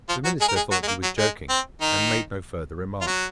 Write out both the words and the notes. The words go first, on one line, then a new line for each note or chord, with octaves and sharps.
The minister thought he was joking, and made no further remark.
F3 F4
F#3 F#4
G#3 G#4
A#4
G#3 G#4
F#3 F#4
G#3
A#3
F#3
G#3
C4
D#3 D#4
F4
F#3 F#4